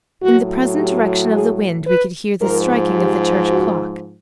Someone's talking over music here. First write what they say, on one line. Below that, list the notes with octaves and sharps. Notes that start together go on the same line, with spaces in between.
In the present direction of the wind, we could hear the striking of the church clock.
A2 F#3 F#4
G4
G#4
B4
G#2 F3 A#4
G4
F#4